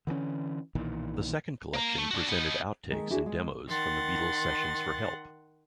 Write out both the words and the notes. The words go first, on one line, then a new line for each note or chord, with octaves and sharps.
The second collection presented out-takes and demos from the Beatles' sessions for Help!
D3 E3 G#3 C#4
B1 A#2 D#3 E3
A#3 A#5
A3
D4 F#4
B3 D#4
D#3 G#3 A3
D4 E4 F#4 G#4
G#3
D#3 F#5 C6 A6